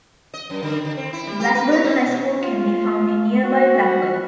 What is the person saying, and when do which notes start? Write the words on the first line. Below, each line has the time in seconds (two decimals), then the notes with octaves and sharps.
Blackburn High School can be found in nearby Blackburn.
0.34 D#5
0.50 F#2
0.63 D3
0.85 D3
0.97 C4
1.13 E4
1.27 G3
1.40 G4
1.55 B4
1.71 C#5
1.84 C4
2.07 B2
2.41 F4
3.44 F#4